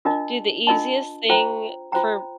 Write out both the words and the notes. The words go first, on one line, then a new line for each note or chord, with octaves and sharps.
do the easiest thing for
D4 F4 A#4 D#5 A5
D4 F4 A#4 D#5 A5
F4 C5 G5 A#5
F4 C5 G5 A#5